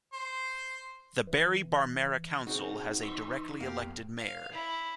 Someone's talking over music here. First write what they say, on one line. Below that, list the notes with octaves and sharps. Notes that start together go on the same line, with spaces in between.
The Berri Barmera Council has a directly-elected mayor.
C5
E3
C#3 C4 D#4 F#4
E3 C6 C#6 E6
F2 A#3 B3 G4 F5
F5
E4